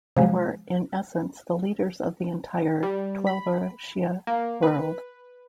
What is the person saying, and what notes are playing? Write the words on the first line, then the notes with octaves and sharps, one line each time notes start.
They were in essence the leaders of the entire Twelver Shi'a world.
C3 F3 G#3
G3
B5
A#3
B4